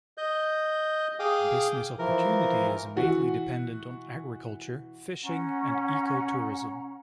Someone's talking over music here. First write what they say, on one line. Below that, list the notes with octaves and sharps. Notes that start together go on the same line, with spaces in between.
Business opportunity is mainly dependent on agriculture, fishing, and eco-tourism.
D#5 G6
G#4 F5 G5 D6 D#6
E3 F3 A#4
E3 F#4
C#4 F#5 A#5